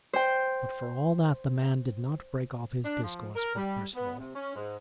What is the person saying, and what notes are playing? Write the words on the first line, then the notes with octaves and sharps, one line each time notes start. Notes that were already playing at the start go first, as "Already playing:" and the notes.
But for all that, the man did not break off his discourse with Perceval.
C5 G5
D4
F3
A#4
G3
B3
C3
C#4
G#2